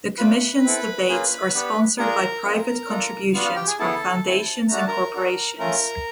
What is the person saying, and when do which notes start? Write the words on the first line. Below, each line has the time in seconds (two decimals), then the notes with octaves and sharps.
The Commission's debates are sponsored by private contributions from foundations and corporations.
0.18 A3 D4 F4 B4 B5
0.63 C4 E4 A4
1.09 A#3 C#4 F4 G#4
1.54 B3 D4 G4
1.98 D4 F4 G#4 A#4 A#5
2.44 C4 F4 G#4
2.89 D4 F4 A4
3.34 B3 D4 F4 F#4 F5
3.45 F4 F5
3.56 G4 G5
3.67 G#4 G#5
3.79 B3 E4 G#4 A4 A5
4.25 C4 E4 A4
4.68 A3 D4 F#4 A#5
4.78 A5
4.87 A#4 A#5
5.14 D4 F#4 A4
5.58 A3 C#4 F4 A#4 A#5